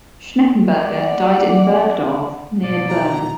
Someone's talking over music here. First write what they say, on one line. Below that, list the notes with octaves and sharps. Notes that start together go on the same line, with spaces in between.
Schneckenburger died in Burgdorf near Bern.
D5 F#5
B2 D5
D#4 E4 F#4 A#5